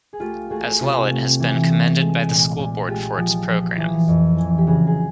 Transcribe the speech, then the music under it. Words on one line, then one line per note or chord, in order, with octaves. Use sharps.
As well it has been commended by the school board for its program.
G#4
A3 F4 G4
A3 F#4 G#4
C3 F4 G4
A3
E3
A3
G#3
A#2
A#2
G#3 F4 G4
F3
F3
E3
F2
E3
G4
C#3 F#4 G#4
G#4